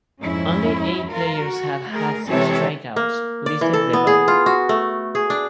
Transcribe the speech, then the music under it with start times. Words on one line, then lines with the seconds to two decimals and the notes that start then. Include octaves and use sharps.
Only eight players have had six strikeouts, listed below.
0.21 F2 G#2 C#4 E4
1.11 F4 A#4
1.41 F#4
1.91 A3 G#4 A#4
2.28 C3 E3 G#3 A4 C#5 E5
2.96 A#3
3.46 D5
3.61 E3
3.73 A4
3.93 B3
4.07 G#4
4.28 F4
4.46 F#4
4.69 A3
5.15 G#4
5.30 D4